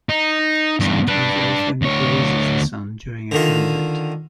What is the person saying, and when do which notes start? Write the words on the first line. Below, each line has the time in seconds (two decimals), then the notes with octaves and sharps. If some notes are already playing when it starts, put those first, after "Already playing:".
Sometimes Earth only grazes the Sun during a transit.
0.09 D#4
0.80 E2 G2
1.08 D4 B4
1.82 D2 C#5
3.31 D3 D#3 F4